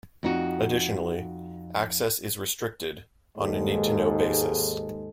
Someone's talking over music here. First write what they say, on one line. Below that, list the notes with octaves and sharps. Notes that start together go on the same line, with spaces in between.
Additionally, access is restricted on a "need to know" basis.
F2 D#4 F#4
D#2 G#2 G#3 A4